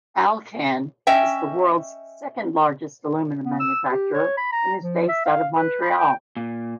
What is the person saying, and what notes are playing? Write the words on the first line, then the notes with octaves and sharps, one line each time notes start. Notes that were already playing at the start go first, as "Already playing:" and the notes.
Alcan is the world's second largest aluminium manufacturer and is based out of Montreal.
C#4 D#5 E5 G5
B3
E6
G4
C#5
B5
A#5
F3
E5
F5
B4
B5
G5
A#2